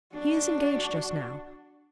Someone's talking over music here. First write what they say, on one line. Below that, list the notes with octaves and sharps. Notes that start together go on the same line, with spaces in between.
He is engaged just now.
D4 F#4